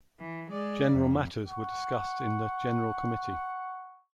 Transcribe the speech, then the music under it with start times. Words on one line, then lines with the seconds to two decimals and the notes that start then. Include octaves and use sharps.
General matters were discussed in the "General Committee".
0.20 E3
0.51 G#3 D5
0.93 F2
1.47 F#5 C#6